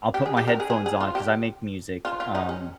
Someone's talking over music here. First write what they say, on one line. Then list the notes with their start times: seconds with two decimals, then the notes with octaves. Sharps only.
I'll put my headphones on, 'cause I make music, um,
0.14 G4
0.26 G#4
0.37 G4
0.48 A#4
0.60 G#4
0.70 G#4
0.86 G#4
1.00 F4
1.15 G4
2.05 F4
2.20 F4
2.35 D#4
2.49 C#4